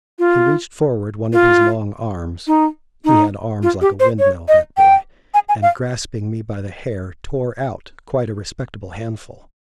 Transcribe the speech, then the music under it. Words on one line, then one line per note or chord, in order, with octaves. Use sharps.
He reached forward one of his long arms--he had arms like a windmill, that boy--and, grasping me by the hair, tore out quite a respectable handful.
F4
F4
D#4
D#4
F4
G4
C5
C#5
D#5
G5
G#5
G#5
F5